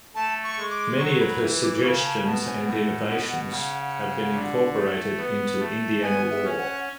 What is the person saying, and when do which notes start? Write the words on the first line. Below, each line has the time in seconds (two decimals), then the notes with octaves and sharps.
Many of her suggestions and innovations have been incorporated into Indiana law.
0.15 A3 A5
0.43 C#6
0.57 G#3
0.70 D6
0.98 F#3 C#6
1.20 B5
1.41 E3
1.62 D6
1.83 C#3 C#6
2.00 G#5
2.04 A5
2.24 B2 A5
2.46 G#5
2.66 A2 F#5
3.09 B2
3.50 C#3
4.34 D3
4.76 A3
5.18 B3
5.60 A3
6.02 B3 G#5
6.30 E5
6.44 C#4 G#5
6.58 F#5